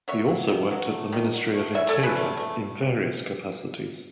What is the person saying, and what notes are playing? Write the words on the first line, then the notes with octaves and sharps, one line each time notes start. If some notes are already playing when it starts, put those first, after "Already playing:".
He also worked at the Ministry of Interior in various capacities.
F#3 C#5 E5
F#3
D#3
F#3
A3
D#3
F#3
A3
E3 C#5 E5
A4 C#5
A3
G#4 B4
A3
A3